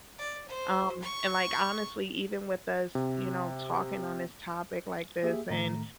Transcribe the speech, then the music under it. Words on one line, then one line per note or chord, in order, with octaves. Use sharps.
um, and, like, honestly, even with us, you know, talking on this topic like this, and,
D5
C5
C#6
C3
A#3 G4 G#4 E5
A2 D#3 A3 A#5